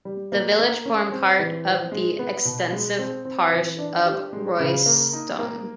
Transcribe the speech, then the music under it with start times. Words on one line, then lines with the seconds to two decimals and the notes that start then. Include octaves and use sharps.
The village formed part of the extensive parish of Royston.
0.05 G3
0.32 A#3
0.59 A#3
0.85 C#4
1.12 C4
1.39 E3
1.66 F3
1.92 G#3
2.19 B3
2.45 B2
2.72 G#3
2.99 C4
3.25 C4
3.53 E3
3.79 D4
4.06 G4
4.33 G#3
4.60 C#3
4.86 A#3
5.13 D#4
5.39 A#3